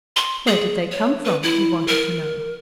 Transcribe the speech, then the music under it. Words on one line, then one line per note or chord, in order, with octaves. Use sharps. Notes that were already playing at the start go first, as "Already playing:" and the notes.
"Where did they come from?" he wanted to know.
C6
G#4
C#5
B4
E4
A#4